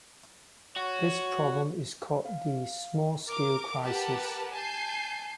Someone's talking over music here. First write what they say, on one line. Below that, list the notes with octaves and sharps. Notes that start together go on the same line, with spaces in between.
This problem is called the "small scale crisis".
F#4 C#5
F5
A#4 D6
G4 A#4 B4 F#5 A5
G#5 A5 G6 C7